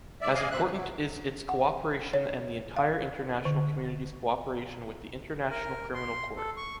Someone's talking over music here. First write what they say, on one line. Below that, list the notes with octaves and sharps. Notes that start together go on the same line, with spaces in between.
As important is its cooperation and the entire international community’s cooperation with the International Criminal Court.
G#2 D5 E5
D5 D#5 F5 G#5
F#2 B2 C4 E5 F#6
F#3 B3
F#3
F#5
C#5
F5
D3
A#4
C6
A4
C#6